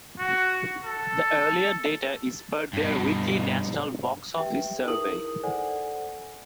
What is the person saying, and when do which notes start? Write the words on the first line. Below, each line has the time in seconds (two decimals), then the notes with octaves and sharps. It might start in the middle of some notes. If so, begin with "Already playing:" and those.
The earlier data is per their weekly National Boxoffice Survey.
0.19 F#4
0.85 A4
2.73 G2 B2
4.37 G4 B4 E5 G5
4.86 D#4 E4 G#4 A#4 D#6 F#7
5.43 A4 C5 D5 F#5 G#5